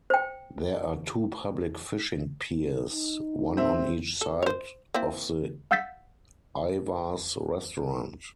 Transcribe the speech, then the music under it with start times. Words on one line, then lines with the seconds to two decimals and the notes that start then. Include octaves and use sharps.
There are two public fishing piers, one on each side of the Ivar's restaurant.
0.10 C5 G5
2.91 D#4
3.57 C4 E5
4.21 A4
4.42 C5 C#5
4.94 A#3 C4 E4
5.71 F5 F#5 E6 G6 A6 B6